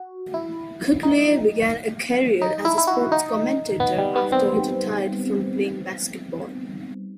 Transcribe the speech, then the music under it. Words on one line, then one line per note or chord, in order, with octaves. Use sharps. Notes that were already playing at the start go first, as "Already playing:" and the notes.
Kutluay began a career as a sports commentator, after he retired from playing basketball.
Already playing: F#4
E4
D#4
D#4
E4
E4
F#4
D#4
B3
G3
B3
C4